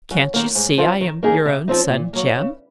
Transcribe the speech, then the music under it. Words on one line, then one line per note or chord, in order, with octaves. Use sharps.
Can't you see I am your own son Jem?'
F#2
D#3 A#3
G#2
F3 C4 F4
D#3
A#3 D#4 G#4
C3
F3 C4 D#4
A#2
F#3 A#3
C#3